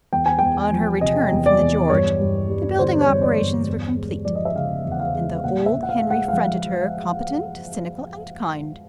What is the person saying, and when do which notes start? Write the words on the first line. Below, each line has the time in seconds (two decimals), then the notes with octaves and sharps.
On her return from the George the building operations were complete, and the old Henry fronted her, competent, cynical, and kind.
0.13 E2 G5
0.26 G#5
0.39 E2 G5
0.72 F3
1.01 C3 D#5
1.31 E2
1.46 D5
1.60 E2
1.90 G2 C#5
2.20 G2
2.49 G3
2.78 D3 C5
3.01 C#5
3.08 G2
3.23 D5
3.38 G2
3.67 E2
3.96 G#3
4.25 F3 D5
4.35 D#5
4.45 E5
4.55 C#3 F5
4.85 E2
4.92 F#5
5.00 F5
5.15 G#3
5.35 F5
5.44 A#2 F#5
5.66 E5
5.74 A#2
5.83 F#5
5.89 F5
6.03 G#3
6.10 F#5
6.28 F5
6.33 F3 F#5